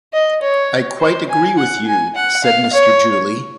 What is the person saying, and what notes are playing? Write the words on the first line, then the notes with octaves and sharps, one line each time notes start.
"I quite agree with you," said Mr. Julie.
D#5
C#5
C5
G#5
F#5
G#5
F#5
F5
C#5